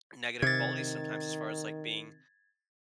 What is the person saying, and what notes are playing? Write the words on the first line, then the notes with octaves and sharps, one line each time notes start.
negative qualities sometimes as far as, like, being
C3 D#3 G#6 A6